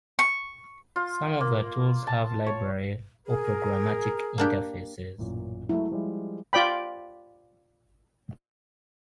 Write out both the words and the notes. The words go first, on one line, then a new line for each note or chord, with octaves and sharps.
Some of those tools have library or programmatic interfaces.
C#6
F4
A#3
A5
C#5
G#4 A#4
A#3 D4 G4
A1 F#2 A#2
F#3 G#3 A3 E4
F3 G3 G#3
F4 D5 G5 B5